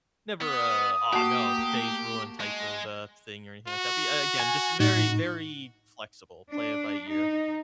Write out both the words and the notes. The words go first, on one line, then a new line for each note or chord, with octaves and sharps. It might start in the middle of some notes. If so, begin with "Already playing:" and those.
never a, "Aw, no, day's ruined," type of, uh, thing or anything like that, but again, just very, very flexible, play it by ear.
B3 D#6
A#3 F#4 G4 A5 C7
G#3
F#4
G#5
A2 D#4 F#4
D4
D#4